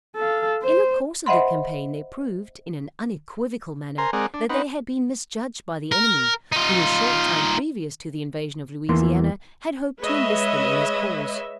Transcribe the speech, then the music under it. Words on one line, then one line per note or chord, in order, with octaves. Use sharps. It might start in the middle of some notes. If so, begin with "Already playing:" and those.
In the course of the campaign they proved, in an unequivocal manner, that they had been misjudged by the enemy, who a short time previous to the invasion of Louisiana, had hoped to enlist them in his cause.
A4 F5
C5
C5 D#5 E5 F#5 B5 C6
A#4 C5 G#5 A#5 C6
G#3 C4 G#4 A#4 D5 F#5
D4
C4 D#4 B4 F#5
A#4
D#4 F4
E2 E3 A#3 C6
G#3 B4 C#5 D#5 E5